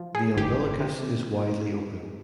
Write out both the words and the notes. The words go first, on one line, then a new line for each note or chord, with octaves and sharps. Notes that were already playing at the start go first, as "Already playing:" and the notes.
The umbilicus is widely open.
Already playing: F3
G#4
G1 G4
C3